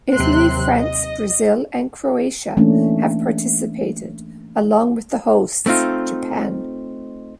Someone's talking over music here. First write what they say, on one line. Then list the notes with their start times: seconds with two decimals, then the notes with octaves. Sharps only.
Italy, France Brazil, and Croatia have participated, along with the hosts, Japan.
0.13 D#2 C3 F#3 C4 C6 F#6
0.78 D#5
2.57 E3 A3 A#3 C#4 D4
5.66 A3 C4 D#4 F4